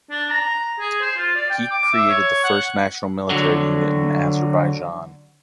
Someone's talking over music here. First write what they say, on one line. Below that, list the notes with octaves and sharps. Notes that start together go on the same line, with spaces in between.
He created the first national military unit in Azerbaijan.
D4
A#5
G#4
C5
F4
D5
G5
D6
E5
C#5
F#5
D3 F#3